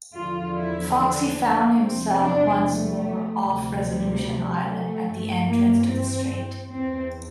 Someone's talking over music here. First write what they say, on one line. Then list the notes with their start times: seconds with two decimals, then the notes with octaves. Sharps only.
Foxe found himself once more off Resolution Island, at the entrance to the strait.
0.14 E2 D3 F3 F4
0.55 E4
0.96 D4
1.78 E2 C3 F3 C4
2.19 D4
2.60 A3
3.42 D2 C3 F3
3.83 G3
4.65 A3
5.06 G2 E3
5.47 A#3
5.87 C4
6.69 E2 E3 C4